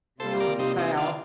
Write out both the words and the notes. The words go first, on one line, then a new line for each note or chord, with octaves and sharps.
Oh, wow.
C3 G3 A#3 F4 A4 C5
C5
A#4 D5
C4 D#4
C4 D#4
D4 F4